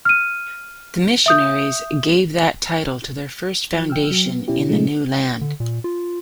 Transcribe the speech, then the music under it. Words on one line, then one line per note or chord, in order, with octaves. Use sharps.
The missionaries gave that title to their first foundation in the new land.
F6 D#7
E5 D#6 G6
F3
G5 E6 F6
F#3
B3
B2 C#4 E4 G4
A#2 F3 G#3 A3 D#4
D3
A#2
F4